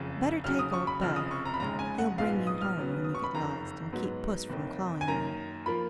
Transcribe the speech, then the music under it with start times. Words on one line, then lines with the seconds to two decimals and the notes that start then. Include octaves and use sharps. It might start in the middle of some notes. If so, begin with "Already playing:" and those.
Better take old Buff; he'll bring you home when you get lost, and keep puss from clawing you.
Already playing: F#1 F2 C#3
0.44 D#2 C#3 F#3 F6
0.59 D#6
0.73 C#6
0.87 B5
1.01 F1 F2 C#3 F3 F6
1.16 D#6
1.31 C#6
1.45 A#5
1.54 B5
1.60 F1 D#2 C#3 G#3 A#5
1.79 G#5
1.98 F#5
2.18 A#1 G#2 F3 B3 F5
2.47 D#6
2.61 F6
2.76 D#2 C#3 F#3 B3
3.04 D#6
3.15 C#6
3.24 B5
3.34 F#1 F2 D#3 A#5
3.92 G#2 F#3 B3
4.50 F1 D#2 D#3
5.01 G#5
5.07 F#2 D#3 A#3 A#5
5.66 F3 A#3 F4 B5